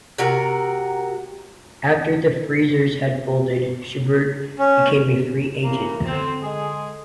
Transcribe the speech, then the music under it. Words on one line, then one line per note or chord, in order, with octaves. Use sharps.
After the Freezers had folded, Schubert became a free agent.
C3 F#4 A#4
C#4
C#3 E3 A#3
D3 C4
G#3 G#4